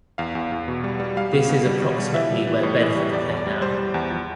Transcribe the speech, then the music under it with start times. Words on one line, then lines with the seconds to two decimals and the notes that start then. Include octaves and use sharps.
This is approximately where Bedford play now.
0.18 E2 F5
0.35 E2
0.52 E2
0.68 B2
0.84 G3
1.00 G3
1.17 G3 F5
1.33 B2
1.49 B2
1.66 G3
1.82 B2
1.99 G3
2.14 E3 E5
2.30 G3
2.47 E3
2.63 A2
2.80 E3
2.96 G3
3.12 E2 D5
3.29 E2
3.37 D5
3.46 G3
3.61 G3 C5
3.78 G3
3.94 E2
4.11 F3